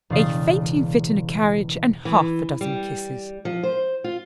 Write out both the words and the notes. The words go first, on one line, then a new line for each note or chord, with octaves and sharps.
"A fainting fit in a carriage and half-a-dozen kisses."
E1 C#3 D5 F5 D#6
E3
G3
F3
C5
F4